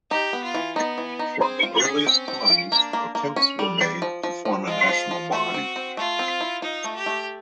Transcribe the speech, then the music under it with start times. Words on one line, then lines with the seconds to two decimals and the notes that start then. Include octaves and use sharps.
From the earliest times attempts were made to form a national body.
0.10 D#4 G4
0.33 B3
0.43 F4
0.54 E3
0.76 B3 D#4
0.98 E3
1.19 D#4
1.41 C4 G#4
1.63 F4
1.74 C#4
1.85 G#4
2.07 C4
2.28 C4
2.50 F4
2.72 A#3 D4
2.93 A#3
3.15 A#3
3.36 C#4
3.59 G3
3.81 G3
4.02 F3
4.23 F3
4.45 F3
4.67 G#3 F4
4.89 F3
5.11 F3
5.32 A3 F#4
5.54 C4
5.76 C4
5.97 A3 F4
6.19 C4
6.41 E4
6.62 D#4 F4
6.84 A3
6.95 G4
7.06 A3